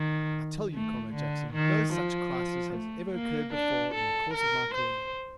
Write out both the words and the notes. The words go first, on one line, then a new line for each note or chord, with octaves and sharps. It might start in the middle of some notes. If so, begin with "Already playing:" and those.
I tell you, Comrade Jackson, no such crisis has ever occurred before in the course of my career.'
Already playing: D#3
A3
D3
D#3
F3
A3
A#3
D4
A4
A#4
C5